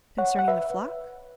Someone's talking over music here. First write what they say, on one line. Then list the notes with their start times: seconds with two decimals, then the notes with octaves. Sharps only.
Concerning the flock?
0.18 C#5 F#5
0.39 F#5
0.48 B4 E5